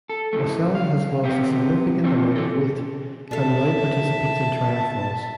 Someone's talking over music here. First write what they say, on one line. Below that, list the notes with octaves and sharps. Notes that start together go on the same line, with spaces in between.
Boselli has lost a significant amount of weight and now participates in triathlons.
A4
A2 C#3 E3 F#3 A3
F5
B3 C4 G4
C4 D4 F4 C5 C#5
E3 A4 C#5
B2 D4 A4 E5 A5